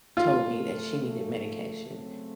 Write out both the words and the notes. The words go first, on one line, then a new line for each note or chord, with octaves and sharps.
told me that she needed medication,
C#3 F3 A3 F4
C#3 F#3 A3 C4